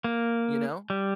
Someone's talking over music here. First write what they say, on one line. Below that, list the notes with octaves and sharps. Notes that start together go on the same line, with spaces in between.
You know?
A#3
G3